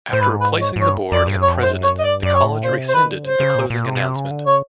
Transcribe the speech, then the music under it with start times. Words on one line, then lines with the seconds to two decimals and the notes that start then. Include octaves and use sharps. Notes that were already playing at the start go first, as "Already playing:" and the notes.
After replacing the board and president, the college rescinded the closing announcement.
0.12 A2 C5
0.21 G#2 B4
0.41 B4
0.61 C#5
0.76 G#2
0.81 G2 C#5
1.12 F2 D5
1.28 G2
1.36 F#2
1.42 C#5
1.47 F2
1.57 F#2
1.62 C5
1.83 C#5
1.99 D#5
2.03 G2 D5
2.23 F#2 D5
2.33 C#5
2.43 A2
2.63 A#2 C5
2.72 C#3
2.79 C3
2.89 C5
2.94 D#3 B4
3.10 D3
3.24 C#3 C5
3.40 C#3
3.55 A#2
3.70 A#2
3.86 C3
3.95 B2
4.01 C3
4.16 C#3
4.31 D3
4.46 C#3 C#5